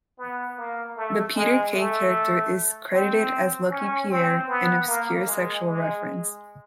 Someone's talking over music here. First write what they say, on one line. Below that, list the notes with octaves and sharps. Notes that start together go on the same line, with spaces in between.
The "Peter Kay" character is credited as "Lucky Pierre", an obscure sexual reference.
B3
A#3
A3
G#3
A3
C4
C#4
C4
B3
A#3
G#3
G#3